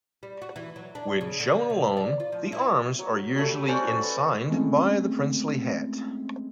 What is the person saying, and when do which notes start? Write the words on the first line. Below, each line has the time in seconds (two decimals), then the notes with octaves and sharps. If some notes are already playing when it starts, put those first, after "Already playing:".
When shown alone, the arms are usually ensigned by the Princely hat.
0.23 G3
0.42 F#4
0.56 E3
0.76 F#3
0.95 D4
1.21 C#3
1.40 D3
1.70 C3
1.97 D5
2.20 F4
2.32 F3
2.52 E4
2.99 F#3
3.35 G3 A3
3.68 C#4 F#4 C5 D5
4.03 B4
4.49 G#3 A3 C4 C#4 E4